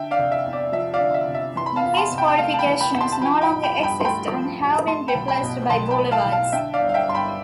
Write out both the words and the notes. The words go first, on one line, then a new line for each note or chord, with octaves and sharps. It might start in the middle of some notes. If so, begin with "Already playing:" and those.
These fortifications no longer exist and have been replaced by boulevards.
Already playing: D3 E5 G5
D5 F5
F1
E5
E2
D5
F3 E5
D5 F5
D3
E5
F1
E5
E3 C6
B5
F5 A5
E2
B5
A5 C6
C3
G5 B5
G5
A3 F5 A5
A5
G5 B5
E3
G5 B5
E2
A5 C6
A5
F3 G5 B5
G5 B5
A1
G5 B5
G2
G5 B5
C6
A3 G5 B5
F3
A1
A3 A5 C6
G5 B5
B1
G5 B5
B2
B1 A5 C6
G5 B5
A3
F5 A5
B1
F5 A5
D3 E5 G5
D5 F5
G1
F5
E5 G5
G2 C6
G5 B5